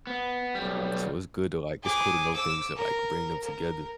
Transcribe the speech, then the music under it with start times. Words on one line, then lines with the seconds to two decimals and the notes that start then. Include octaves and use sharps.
So, it's good to, like it's cool to know things that, like, bring them together.
0.07 B3
0.55 B1 G3
1.83 G#4 D6
2.33 D6 E6
2.76 A#4
3.43 A#4